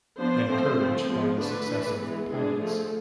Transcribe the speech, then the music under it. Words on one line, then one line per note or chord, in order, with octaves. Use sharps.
Encouraged by the success of Pirates!
F3 B3 D4 C5
F3 A3 C4
F3 A3 C4
F3 G#3 B3
D3 A3 D4 B4
E3 A3 D4
E3 G#3 B3
G#3 B3 D4 G#4
D3 F3 A3